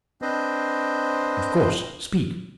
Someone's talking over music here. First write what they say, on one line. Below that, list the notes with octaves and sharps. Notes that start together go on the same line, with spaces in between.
"Of course, speak."
C4 D4 B4 C5 D#5